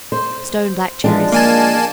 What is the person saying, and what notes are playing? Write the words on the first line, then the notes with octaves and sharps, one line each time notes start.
Stone black cherries.
C5
F3 G#3 D4
A#3 G#5 A5